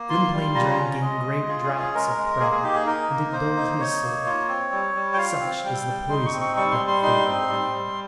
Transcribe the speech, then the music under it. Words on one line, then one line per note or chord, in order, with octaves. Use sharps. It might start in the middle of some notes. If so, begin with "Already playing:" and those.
Gwynplaine drank in great draughts of pride, and it dulled his soul. Such is the poison of that fatal wine.
Already playing: A#3
F4 C6
G3
F4 A#5
C#4
G#3 D#5
G#3
F4 G#4
G#4
C#4
G#4
G#3 A#4
G#3
A#3 G#4
G#4
D#4 G4
G#4
D#4 A#4
A#3
A#3 C5
D#4
D#4 C#5
A#3
F4
C4
G3
G3
G5
F4 F5
C4
G3 G5
G3
D#4 C6
C#6
C4
C#6
G3 C#6
C6
G3
C6
D#4 C6
C4
G3
G3